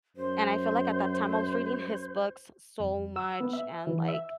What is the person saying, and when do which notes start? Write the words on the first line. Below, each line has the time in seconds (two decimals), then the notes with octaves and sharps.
and I feel like, at that time I was reading his books so much and, like,
0.17 F#2 C5
2.80 F2
3.16 E6
3.41 B3
3.53 E5
3.87 E3
4.08 E5